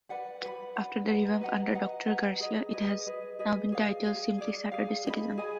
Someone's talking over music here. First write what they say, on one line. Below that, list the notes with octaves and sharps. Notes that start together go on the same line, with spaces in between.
After the revamp under Doctor Garcia it has now been titled simply Saturday Citizen.
B4 D5 F#5 B5
B4 D5 F#5 B5
B4 D5 F#5 B5
B4 D#5 F#5 A#5
B4 D#5 F#5 A#5
B4 D#5 F#5 A#5
B4 D#5 F#5 A#5
G#4 B4 D#5
G#4 B4 D#5
G#4 B4 D#5
G#4 B4 D#5
G#4 D5 F5
G#4 D5 F5
G#4 D5 F5
G#4 D5 F5
G#4 D#5 G#5 B5
G#4 D#5 G#5 B5